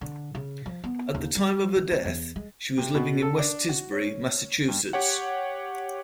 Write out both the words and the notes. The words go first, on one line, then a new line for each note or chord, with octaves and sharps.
At the time of her death she was living in West Tisbury, Massachusetts.
D3
C#3
F3
B3
D#2
G3
D3
A3
E2
G#3
C3
B2
A4
D4
F#4
C#4
G2
G4 C#5 F#5